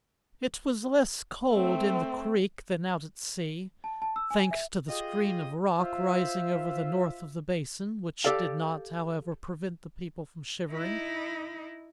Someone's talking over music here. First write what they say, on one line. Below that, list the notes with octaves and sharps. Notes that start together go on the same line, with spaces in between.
It was less cold in the creek than out at sea, thanks to the screen of rock rising over the north of the basin, which did not, however, prevent the people from shivering.
A3 C4
A5
A5
E6
G#5
E5
F4 G4 G#4 D#5
F4 C5 E5
G4 A4 D5 F5
D#4 E4